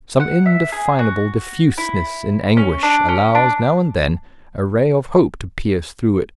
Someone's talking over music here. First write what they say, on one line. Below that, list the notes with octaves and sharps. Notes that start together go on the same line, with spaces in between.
Some indefinable diffuseness in anguish allows now and then a ray of hope to pierce through it.
F#5
E5
G#4
F#4
E4
C#4
D4
C#4
D4